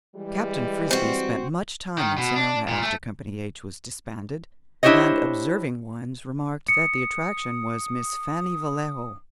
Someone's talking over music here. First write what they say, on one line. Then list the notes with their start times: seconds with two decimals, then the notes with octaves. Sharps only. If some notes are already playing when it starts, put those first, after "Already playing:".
Captain Frisbie spent much time in Sonoma after Company H was disbanded, and observing ones remarked that the attraction was Miss Fannie Vallejo.
0.15 E3 G3 G#3
0.91 C4 F#4
1.98 D#3
2.17 B2
2.36 D4
2.68 A#2
2.83 A3
4.83 D4 E4 G4 C5 C#5 D#5
6.68 D#6 C#7